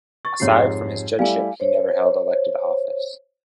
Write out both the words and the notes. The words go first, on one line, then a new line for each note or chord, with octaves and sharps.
Aside from his judgeship, he never held elected office.
C#6 A6
F2 G#2 G4 C#5 C7
G3 A3 E4 F5 G#5
C5 C#5